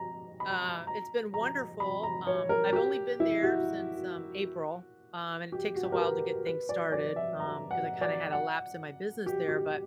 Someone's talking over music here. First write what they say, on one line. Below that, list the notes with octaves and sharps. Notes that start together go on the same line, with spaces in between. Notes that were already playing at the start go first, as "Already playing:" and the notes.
uh it's been wonderful, um I've only been there since, um, April, um, and it takes a while to get things started, um, 'cause I kinda had a lapse in my business there, but
Already playing: A#5
B5
A#5
A#5
B5
A#5
C#5
A#4
G4
E4
F#4
G4
F#4
G4
A#4
B4
B4
D5
D5
E5
A#5
F#5
D5
F#5
G4
G4